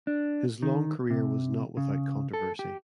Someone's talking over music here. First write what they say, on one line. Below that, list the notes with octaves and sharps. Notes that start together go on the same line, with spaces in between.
His long career was not without controversy.
D4
D#3
C3
C#3
A4
G4